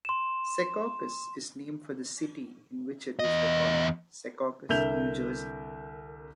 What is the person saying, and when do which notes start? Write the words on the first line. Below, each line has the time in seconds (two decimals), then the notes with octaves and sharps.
"Secaucus" is named for the city in which it was recorded, Secaucus, New Jersey.
0.05 C6 E7
3.19 E2 D#5
4.69 C2 D3 A#4 E5 G6 F7